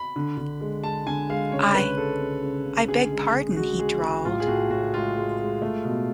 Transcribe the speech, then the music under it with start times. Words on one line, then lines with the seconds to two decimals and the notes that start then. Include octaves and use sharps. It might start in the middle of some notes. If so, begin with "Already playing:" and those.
I, I beg pardon, he drawled.
Already playing: B5
0.16 D3
0.37 D3
0.61 G#3
0.84 G#3 A5
1.06 D3 G#5
1.29 G#3 F5
1.52 C#3 C#5
1.75 G#3 B4
1.97 G#3 A4
2.20 C#3
2.43 C#3
2.65 C#3
2.88 D3 G#4
3.11 G#3
3.34 D3
3.56 G#3 F#4
3.79 G#3 G#4
4.02 G#3 F#4
4.25 A2 F4
4.40 G#4
4.48 A2 F#4
4.70 A2 F#4
4.94 G#3 F4
5.16 G#3
5.39 G#3
5.62 A3
5.84 B2